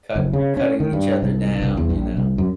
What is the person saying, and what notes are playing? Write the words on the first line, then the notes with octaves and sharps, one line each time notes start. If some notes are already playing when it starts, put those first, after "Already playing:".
cut cutting each other down, you know?
F#1
C#3
C#4
D#3
G2
C2
C2
E2
A#1
C2
F#2